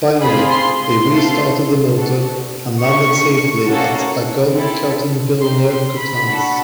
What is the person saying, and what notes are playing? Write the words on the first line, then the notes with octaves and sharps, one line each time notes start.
Finally, they restarted the motor and landed safely at Agon-Coutainville near Coutances.
C4 F4 G#4 B5
C6
C6
A3 C4 F4 A4
D4 F#4 A4
A#3 D4 G4 C#6
A#3 C#4 F#4 A4
C4 E4 A4
C4 D#4 G4 C6
C6
B5
D4 F#4 A4